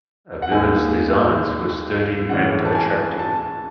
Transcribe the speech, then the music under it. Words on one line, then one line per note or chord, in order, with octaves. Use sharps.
Avila's designs were sturdy and attractive.
F#5
D#2 D#3 G#3 G#5
A2 E3 G#3 C#4 F#5
A5
G#5
A5